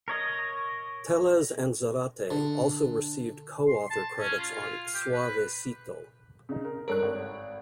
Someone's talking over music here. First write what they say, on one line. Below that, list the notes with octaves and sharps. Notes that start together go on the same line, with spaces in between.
Tellez and Zarate also received co-author credits on "Suavecito".
A#4 C#5 D#5
D3
C6
A5
C#4
F4
G4
B4
C#3 D#4
A#4
G2 A4 A#4 C#5 F#6 D7
G#1